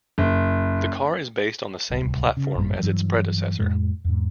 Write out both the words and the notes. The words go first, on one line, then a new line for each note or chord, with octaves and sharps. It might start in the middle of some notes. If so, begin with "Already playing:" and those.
The car is based on the same platform as its predecessor.
F#1
D1 C2
C#3
G#1 F#2 A#2 G3
G2 E3 F#3
F2 A2 G#3
E2 G#2